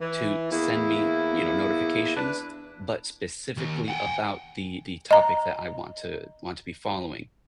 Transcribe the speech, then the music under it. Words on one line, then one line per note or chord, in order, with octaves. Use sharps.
to send me, you know, notifications, but specifically about the the topic that I want to want to be following,
E3
E2 A#3 E4
D4 B4
D#2
F#5 G5
D#5 A#5